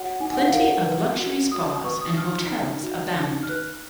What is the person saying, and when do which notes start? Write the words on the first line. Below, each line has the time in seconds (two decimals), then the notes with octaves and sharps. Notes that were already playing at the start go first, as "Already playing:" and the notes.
Plenty of luxury spas and hotels abound.
Already playing: F#4 C#5 F#5
0.20 D#4 G#5
0.34 F#5
0.47 F5
0.53 A#4
0.60 F#5
0.86 B4
1.19 F#4
1.52 F#4 D#6
1.84 B4 C#6
2.01 D#6
2.17 D#4 F6
2.51 D#4
2.83 F#4
3.16 D#4
3.43 F6
3.49 B4 F#6